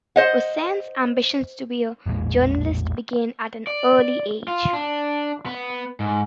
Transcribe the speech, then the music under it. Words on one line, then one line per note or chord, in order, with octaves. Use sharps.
Hossain's ambitions to be a journalist began at an early age.
C5 D#5 F#5
A1 E2 A#2 G#3
D5
F4
D4
B3
G#2